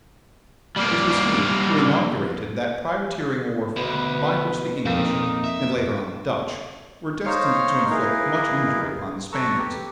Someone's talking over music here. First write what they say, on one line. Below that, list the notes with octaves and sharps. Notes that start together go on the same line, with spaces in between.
It was he who inaugurated that privateering warfare by which the English, and later on the Dutch, were destined to inflict much injury upon the Spaniards.
G3 A#3
D2 B2 B4
F2 A#2 A#3 D#4
E5
D#4 C5 C#5 F5 F6
D#4 E4 G#4 A#4 B4 F5
A4 B4 A#5 C#6 E6
G4